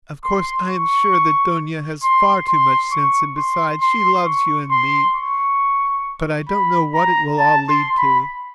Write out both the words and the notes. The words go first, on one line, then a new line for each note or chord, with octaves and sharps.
Of course, I am sure that Dounia has far too much sense, and besides she loves you and me... but I don't know what it will all lead to.
C6
C#6
C6
C6
C#6
C6
C6
C#6
C6
C#6
B5
A#5
A5
C6
B5